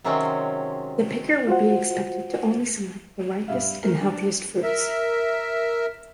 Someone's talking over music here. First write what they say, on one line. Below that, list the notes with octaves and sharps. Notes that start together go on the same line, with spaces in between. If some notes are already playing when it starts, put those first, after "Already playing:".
The picker would be expected to only select the ripest and healthiest fruits.
C3 D#3 F#3 G#3 C4 C#4
F4 F#4 C5 F#5
G2 E5 F5
A3 A#4
D4
A#4 E5